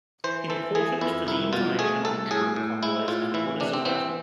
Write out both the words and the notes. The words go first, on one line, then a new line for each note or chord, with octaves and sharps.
Important for the information on troop convoys and orders of battle.
E3 C5
E3 A4
E3 G#4
F2 E4
C2 E4
B2 F4
A3 G#4
C2 A4
A2 G#4
A2
G#3 E4
A2 F4
E3 E4
C3 D4
C4
E3 C4